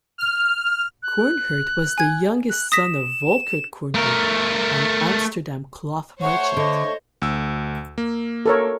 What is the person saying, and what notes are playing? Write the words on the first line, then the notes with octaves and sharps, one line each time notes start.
Coornhert was the youngest son of Volckert Coornhert, an Amsterdam cloth merchant.
F6
F#6
G#5 G#6
F#6
D#6 A#6 B6 E7
A3 A#4
A3 C5 C#5 F#5 C#6
D3 D#5
D2 E6
A#3
A4 A#4 C#5